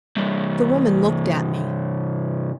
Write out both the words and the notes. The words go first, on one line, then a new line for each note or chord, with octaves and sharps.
The woman looked at me.
C2 G2